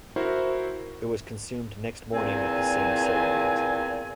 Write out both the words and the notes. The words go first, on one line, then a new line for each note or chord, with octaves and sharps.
It was consumed next morning with the same ceremonies.
E4 F#4 A#4 C5 F#5
E2 A#2 C4 G#5